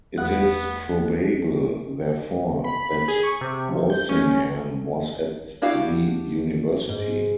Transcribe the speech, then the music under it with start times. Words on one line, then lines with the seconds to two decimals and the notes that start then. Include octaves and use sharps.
It is probable, therefore, that Walsingham was at the university.
0.17 E2 A3 B3 F#5
2.64 B5
3.08 G#4
3.23 C#6
3.41 C3
3.69 F3
3.90 G6
4.09 C#4
5.62 D4 E4 F#4 G4 F5
6.89 G#2